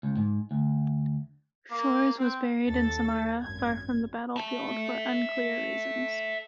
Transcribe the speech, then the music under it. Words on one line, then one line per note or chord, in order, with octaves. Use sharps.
Shchors was buried in Samara, far from the battlefield, for unclear reasons.
C#2
G#2
D2
A#3
C4
D#2 A4 A6
G#1 F#2 G#6
E5 A5